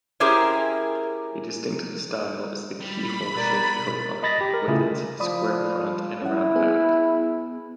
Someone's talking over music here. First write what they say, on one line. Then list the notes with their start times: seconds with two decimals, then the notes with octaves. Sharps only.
A distinct style is the keyhole-shaped kofun, with its square front and round back.
0.20 C#4 E4 G4 G#4 A#4 C5
2.80 G3 B5
3.36 B2 A#4 D5
4.23 D#5 B5 A6 A#6
4.41 G4
4.54 A#4
4.68 C#3 A3 E4 F4 G#4
5.20 F3 D5 B5 D#6
6.22 C#4 E4 F#5
6.55 B3 G#4